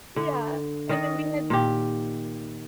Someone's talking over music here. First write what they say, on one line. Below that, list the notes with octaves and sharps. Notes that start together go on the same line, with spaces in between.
Yeah. And then we had
D3
D#3 D#5
A#2 G4